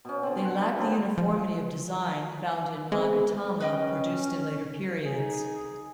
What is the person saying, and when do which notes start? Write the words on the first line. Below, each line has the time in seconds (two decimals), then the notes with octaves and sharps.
They lack the uniformity of design found in magatama produced in later periods.
0.05 B2 C#4
0.23 D3 C4
0.45 F#5
0.61 D4 G#4
0.78 D#3 C4 B4
1.18 F3
2.92 G#3 B3 C4 G#4
3.60 C#4 B4 D#5 G5
5.06 D#4 G#4